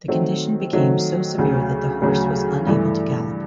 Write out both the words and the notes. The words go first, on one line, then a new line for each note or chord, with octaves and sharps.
The condition became so severe that the horse was unable to gallop.
D#3 F#3 A3 C4
D#3 F#3 A3 C4
D2 C#3 F#3
D2 C#3 F#3
G2 E3 A3